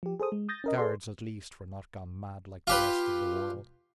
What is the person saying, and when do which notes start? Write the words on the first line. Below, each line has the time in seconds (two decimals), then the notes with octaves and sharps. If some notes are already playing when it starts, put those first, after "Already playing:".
The guards, at least, were not gone mad like the rest of the world.
0.03 F3 G4
0.20 G#4 A4 C5 D#6
0.32 G#3
0.49 D#6 G6 A6 A#6
0.64 C#4 A#4 D#5
0.78 G#4 A4 B4 D5 C6
2.67 F4 G4 B4